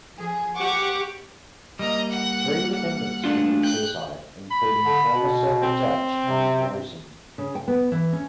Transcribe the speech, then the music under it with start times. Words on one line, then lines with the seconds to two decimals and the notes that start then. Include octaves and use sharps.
Three defendants commmitted suicide, including former Circuit Judge Allen Rosin.
0.17 F3 G#4
0.56 G4 F#5 C#6 D6
1.79 G3 A#3 D#5 A#5
2.10 F#5
2.73 F#5
3.24 A3 D4 F4
3.63 G5 F#6 G6
4.51 B5
4.84 D3
5.05 B2
5.63 C4
6.22 C3
7.38 C#3
7.55 G5
7.68 B3
7.92 E3
8.13 C#4